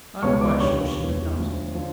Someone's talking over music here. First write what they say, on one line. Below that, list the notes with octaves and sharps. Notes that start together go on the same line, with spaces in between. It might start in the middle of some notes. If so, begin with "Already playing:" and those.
I am quite sure she would not.
C#2 B2 C#5 C#6
D5 D6
D#2 D3 F3 C#5 C#6
E1 E2 B2
D2 D3 F3
D3 F3